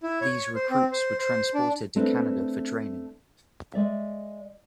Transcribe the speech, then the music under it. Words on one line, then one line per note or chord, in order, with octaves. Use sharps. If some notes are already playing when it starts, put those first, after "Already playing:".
These recruits were transported to Canada for training.
E4
C#5
C5
C4
C5
C5
D4
A3 C4 D4 B4
G#3 D5 E5